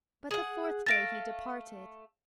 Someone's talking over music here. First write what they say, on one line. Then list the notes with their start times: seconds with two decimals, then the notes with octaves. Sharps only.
But the fourth day he departed!
0.31 G#4 F#5
0.86 A3 F5 A6 A#6 D7